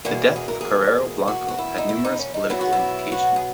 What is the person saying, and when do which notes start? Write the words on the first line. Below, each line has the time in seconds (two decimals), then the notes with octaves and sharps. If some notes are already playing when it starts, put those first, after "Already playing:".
The death of Carrero Blanco had numerous political implication.
0.05 E2 B2 A#3 G#4
0.36 G#4
0.48 A#4
0.61 G#4
1.28 F#4
1.48 F#4
1.58 E4
1.78 D#4
1.89 E4
2.05 D#4
2.19 C#4
2.34 D#4
2.50 B2 F#3 B3 E4
2.61 F#4
2.72 E4
3.12 F#4
3.36 G#4